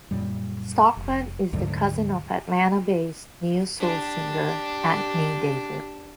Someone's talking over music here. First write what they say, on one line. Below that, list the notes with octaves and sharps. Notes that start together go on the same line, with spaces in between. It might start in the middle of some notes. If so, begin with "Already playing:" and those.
Stockman is the cousin of Atlanta-based neo-soul singer Anthony David.
F#2 A#2 G3
F1
D2 G#2 D3 F#3
D4 G4